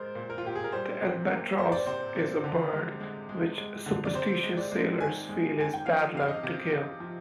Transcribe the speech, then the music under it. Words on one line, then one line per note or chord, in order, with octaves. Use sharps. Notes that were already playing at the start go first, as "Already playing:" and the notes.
The albatross is a bird which superstitious sailors feel is bad luck to kill.
Already playing: G#3 A#4 C5
A#2
A#4
F4
A#2 G4
G#4
A#4
G3 C5
C3
A#3
A#3 C5
D5
C3 C5
C3
D3
G#3
G#3
G#3
G#3
D3
D5
C3 C5
G#3
D5
G#3
D#3 G#5
G#3
D#3 G#5
G5
F3 F5
C3 F5
D#5
C3
C3
F3